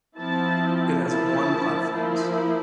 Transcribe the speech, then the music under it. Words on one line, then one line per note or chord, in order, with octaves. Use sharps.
It has one platforms.
F3 C4 E4 A5
F3 A#3 E4 A5
F3 A#3 E4